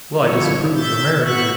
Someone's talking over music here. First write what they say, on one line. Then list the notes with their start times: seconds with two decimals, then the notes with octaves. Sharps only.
Well, I disapprove of her marriage.
0.18 D3 F3 G3 E4 C#5
0.75 C3 E5 G6 A6
1.21 A2 B3 F#4 E5 C#6 F#6